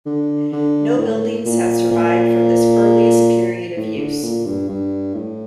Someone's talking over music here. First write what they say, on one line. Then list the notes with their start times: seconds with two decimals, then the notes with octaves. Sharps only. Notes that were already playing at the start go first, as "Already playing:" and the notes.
No buildings have survived from this earliest period of use.
0.06 D3
0.53 D3
0.98 A2
1.45 A#2
1.91 A#2
3.76 A2
3.98 D3
4.23 A#2
4.45 G2
4.69 G2
5.14 A2